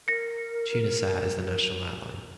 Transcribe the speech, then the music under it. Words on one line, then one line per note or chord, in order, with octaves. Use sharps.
Tunisair is the national airline.
A#4 A#6 C#7